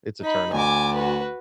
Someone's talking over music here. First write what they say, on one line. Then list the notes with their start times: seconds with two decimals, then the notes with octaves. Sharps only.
it's a turnoff.
0.21 D#4 B5
0.53 D2 G#5 D6
0.95 F#4 B4